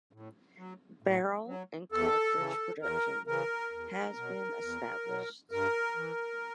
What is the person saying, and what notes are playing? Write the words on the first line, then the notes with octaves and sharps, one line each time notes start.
Barrel and cartridge production has been established.
A2
F#3
A2
F#3
E2 A4
C#3 E3
E2 A#4
C#3 E3 A#4
E2
B2 F#3
E2
B2 F#3
G2 A#4
E3